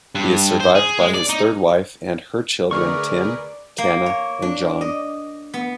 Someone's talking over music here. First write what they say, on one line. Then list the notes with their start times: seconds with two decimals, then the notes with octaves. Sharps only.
He is survived by his third wife and her children Tim, Tanna, and John.
0.15 G2
0.60 C5
0.75 G#4
1.00 G#3
1.14 D5
1.29 D#4
2.71 D2 G#4 A#4 B4 D5 C#6 F6
3.78 A#3
4.06 C#5
4.42 D4
4.81 D#5
5.54 B3